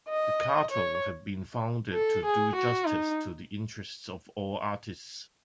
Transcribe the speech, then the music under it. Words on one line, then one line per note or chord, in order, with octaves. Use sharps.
The Cartel had been founded to do justice to the interests of all artists.
D#5
C#5
A4
G#4
F#4
D#4